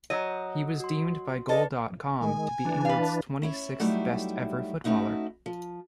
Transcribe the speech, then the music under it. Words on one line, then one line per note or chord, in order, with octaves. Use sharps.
He was deemed by Goal dot com to be England's twenty-sixth best ever footballer.
F#3 C#5 D#5 A#5
F#4 C6
A4 B4 D5 D#5
D#3 G#3 G#5
E3 D4
B4 F5
A5
C#4 E4 C#5
F#3 G3 A3 D#4 E4
A3 C#4 D#4 E4 F#4
F3